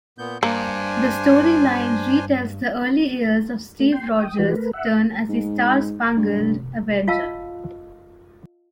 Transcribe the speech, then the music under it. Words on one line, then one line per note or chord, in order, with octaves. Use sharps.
The storyline re-tells the early years of Steve Rogers' turn as the Star-Spangled Avenger.
A#2 B3 G6
G2 A#3 D4 C5 G#5
A3
G5 C6
G5 D#6
E3 G#3 F#4 G4 B4
A3 A#4 B4
E5 F#5
G#2
G2
F4 D#5 F5 A5 E6